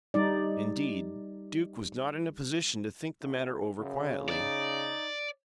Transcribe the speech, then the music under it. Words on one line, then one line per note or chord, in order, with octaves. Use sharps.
Indeed, Duke was not in a position to think the matter over quietly.
G3 D#4 D5
A1
F#2 C#3
D#4 D5